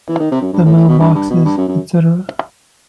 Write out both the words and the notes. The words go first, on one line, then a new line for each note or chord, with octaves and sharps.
The Mail Boxes Etc.
E3
D#3
C3
F#2
G2
A2
A2
B2
G2
G2
B2
G2
F#2
F#2